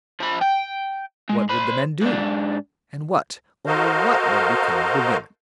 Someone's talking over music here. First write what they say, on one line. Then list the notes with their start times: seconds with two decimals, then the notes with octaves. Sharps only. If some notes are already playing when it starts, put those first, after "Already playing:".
What would the men do? and what--oh! what would become of the women?
0.20 F3 B5
0.41 G5
1.29 G#3
1.49 C5 B5
2.01 G#2 D4
3.67 F#4 A4 A#4 C5 D#5 F5